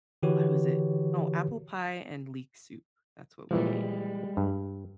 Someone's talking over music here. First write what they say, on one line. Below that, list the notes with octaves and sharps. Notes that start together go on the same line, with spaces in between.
what was it? Oh, apple pie and leek soup, that's what we made,
D3 E3 F#4 G4 B4 C#5
A#2 E3 F3 G3 G#3
G2